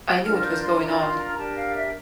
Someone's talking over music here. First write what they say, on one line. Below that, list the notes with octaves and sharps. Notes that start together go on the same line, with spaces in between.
I knew what was going on.
D4 F4 A#4 F6
F6
G6
C6
D4 F4 A#4 A#5
C6
A#5
D4 G4 A#4 A5
F5
E5